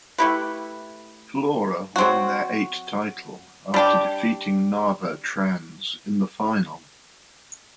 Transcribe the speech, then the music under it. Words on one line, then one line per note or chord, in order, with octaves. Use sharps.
Flora won their eight title after defeating Narva Trans in the final.
A3 E4 G4 B4
F#3 C4 F#4
G3 D4 G4